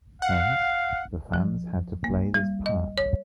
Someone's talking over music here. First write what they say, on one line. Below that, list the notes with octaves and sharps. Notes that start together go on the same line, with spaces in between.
Hence, the fans had to play this part.
F5 F#5
F3
A#3
G3
D#5
C#5